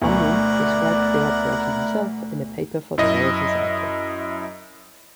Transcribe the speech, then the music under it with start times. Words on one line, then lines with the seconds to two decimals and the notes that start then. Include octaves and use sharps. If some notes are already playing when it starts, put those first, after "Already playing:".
Amyand described the operation himself in a paper for the Royal Society.
0.02 D2 B2 A3 E4 A#4 D5 F#5 C#6
2.98 F#2 E4 D#5